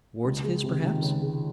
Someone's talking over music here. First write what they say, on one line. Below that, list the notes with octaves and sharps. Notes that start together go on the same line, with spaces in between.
Wards of his, perhaps?
C#2
G#3
C3
D#3
C#2
G#3